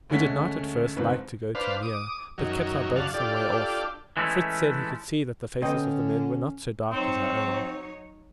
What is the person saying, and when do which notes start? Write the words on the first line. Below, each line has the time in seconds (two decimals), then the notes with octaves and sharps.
We did not at first like to go too near, but kept our boat some way off. Fritz said he could see that the faces of the men were not so dark as our own.
0.10 D2 G#3 A3 C#4 F#5 B6
0.96 F#1 G#2 C4 B4
1.55 D4 B4 C5 F5
1.83 D6 D#6
2.38 F#2 D#3 F#3
2.96 F#2 C#3 D4 F5 F#5 A5
3.14 D4 F4 G4 A4 D5
4.17 E3 G#3 A3 C#4 E4
5.62 D3 B3 C#4 D#5 G5
6.91 F#3 C4 D#4 C#5